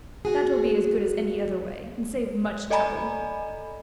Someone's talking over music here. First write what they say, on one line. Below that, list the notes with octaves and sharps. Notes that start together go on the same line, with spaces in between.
That will be as good as any other way, and save much trouble.
F#4 G#4
A4 D5 D#5 G#5 A#5 B5